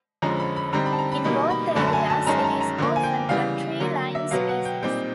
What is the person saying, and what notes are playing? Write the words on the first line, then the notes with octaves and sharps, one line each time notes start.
In both areas, it is often a tree line species.
F2 D3 F3 G#3 C#4 A#5
B5
B5
D3 G3 C4 D#4 A#5
B5
A5
A#5
B5
B2 G3 A#3 D#4 B5
B5
F#2 D3 F#3 A3 D4 B5
A5
G#5
A5
F#2 D#3 G#3 C#4 A#5
A5
A#5
A#5
D3 F3 A#3
G#5
G5
C#3 E3 G3 B3 F5
D3 F#3 A#3
E5
B2 F#3 B3 F5
F#5
G5
A#2 G3 C4 D#4 G5